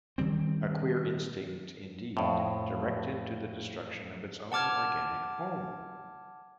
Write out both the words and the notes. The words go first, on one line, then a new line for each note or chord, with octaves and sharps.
A queer instinct, indeed, directed to the destruction of its own organic home!'.
D#3 G3 C4
F2 A2
F#5 A5 D6 F6 G#6